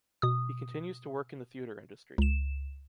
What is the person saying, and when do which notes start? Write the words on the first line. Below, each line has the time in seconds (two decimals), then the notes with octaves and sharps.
He continues to work in the theater industry.
0.22 B2 D#6
2.18 C#2 E7